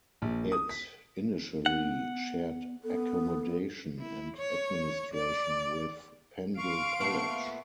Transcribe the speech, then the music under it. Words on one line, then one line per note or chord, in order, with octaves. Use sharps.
It initially shared accommodation and administration with Pendle College.
A#1
D#6
B6
B3 F#5
B3 A4
E4
C#5
D5
F5 C6 C#6 D7
A#2 A3 B3 C#6